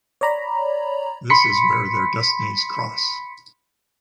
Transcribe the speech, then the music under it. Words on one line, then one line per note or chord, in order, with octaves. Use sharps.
This is where their destinies cross.
C#5 D5 A#5 B5
B5 C6 B6 C#7